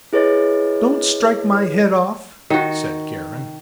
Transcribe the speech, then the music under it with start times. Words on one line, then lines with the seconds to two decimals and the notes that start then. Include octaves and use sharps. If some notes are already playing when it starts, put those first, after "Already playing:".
"Don't strike my head off!" said Karen.
0.13 E4 G#4 B4 C#5 D#5 A6
2.50 D#3 F#4